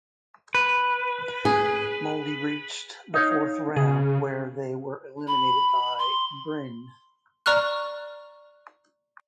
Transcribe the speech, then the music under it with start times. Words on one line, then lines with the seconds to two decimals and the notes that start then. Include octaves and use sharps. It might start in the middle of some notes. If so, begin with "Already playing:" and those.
Molde reached the fourth round where they were eliminated by Bryne.
0.55 B4
1.45 G#4
3.14 D#4 C#5 F5
3.76 C#3 G#4
5.28 B5
5.99 C6
7.46 D5 A#5 C#6 F6 F#6